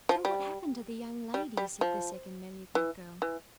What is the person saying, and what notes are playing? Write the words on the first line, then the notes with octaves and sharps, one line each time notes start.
"Tell what happened to the young lady!" said the second Melyukov girl.
F3
G3
G3
G3
F3
E3
E3